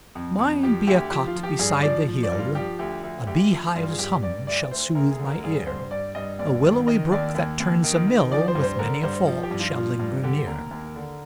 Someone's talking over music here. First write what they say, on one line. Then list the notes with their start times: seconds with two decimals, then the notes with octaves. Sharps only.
Mine be a cot beside the hill; A bee-hive's hum shall sooth my ear; A willowy brook that turns a mill, With many a fall shall linger near.
0.15 F2
0.39 F2
0.63 F3 G4
0.87 D2 G4
1.11 F3 G4
1.27 F4
1.35 F3
1.43 G4
1.59 G2 G#4
1.83 F3 D5
2.07 F3
2.23 D5
2.32 G2
2.39 F4
2.55 F3 G4
2.79 D2 G4
3.03 D2
3.27 D2 G4
3.52 F3
3.75 G2 F4
3.91 G#4
3.99 G2 G4
4.23 G2 D5
4.47 D2 D5
4.71 D2 C5
4.95 D2 A#4
5.11 G#4
5.19 D3
5.27 A#4
5.44 G2 G#4
5.67 G2 C5
5.91 G2 D5
6.15 G2 D#5
6.39 D#2 D5
6.63 D#3
6.87 D#3 D#5
7.12 D#2 D5
7.35 D#2
7.60 D#2
7.84 D#3
8.07 D#3
8.31 F3 D5
8.48 C5
8.55 G2
8.63 C5
8.79 D3 A#4
9.03 G2 C5
9.27 F3
9.43 G4
9.51 G2
9.60 F4
9.75 F3
9.99 G2
10.23 D3 G4
10.47 D#2 A#4
10.71 D#2
10.96 D3